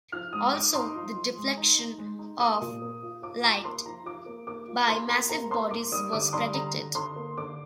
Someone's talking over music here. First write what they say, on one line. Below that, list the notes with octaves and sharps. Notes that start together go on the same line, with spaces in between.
Also the deflection of light by massive bodies was predicted.
F3 F6
G#3 D#6
D#4 D6
D#4 C6
F3
F3
G#3
D#4
D#4
G#3
D#4
A#3 D#6
A#2
A#3
F4
F4 D6
F4 D6
A#3 C6
F3 A#5
F4 D6
A#3
A#3 D6
F4
A#3 C6
A#3 C6
A#3 A#5
A#3 C6
A#3 D6
G3 D#6
D3 D6
G3 C6
D3 A#5
D3
D3 C6
A#3
D3 D6